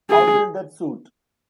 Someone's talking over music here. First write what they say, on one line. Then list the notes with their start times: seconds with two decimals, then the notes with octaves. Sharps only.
How will that suit?
0.10 G#4